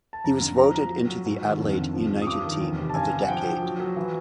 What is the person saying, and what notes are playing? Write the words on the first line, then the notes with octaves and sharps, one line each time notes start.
He was voted into the Adelaide United Team of the Decade.
A5
F2 A#5
D3
F3 A#5
F3 A#5
F#3
F#3
G#2
D#3
F2
D3
F3
F3
D#6
G2 D6
D#3
E2
C3
A5
G2 G#5
D3
F#5
F3 G5
F3
F#3
F#3
E3